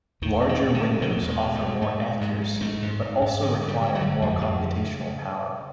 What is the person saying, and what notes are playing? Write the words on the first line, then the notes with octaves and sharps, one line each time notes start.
Larger windows offer more accuracy but also require more computational power.
E2 D#3
B2
D#3
B2
D3
B2
B2 D#3
E2
G#3
B2
A3
B2
G#2 A3
G#2
G#2 G#3
G#2
G#3
G#2 A3
G#2
G#2
G#2
D3 G#3
D3 G#3
G3
G2
F#3
D3
F2 G3
F2
C#3
C#3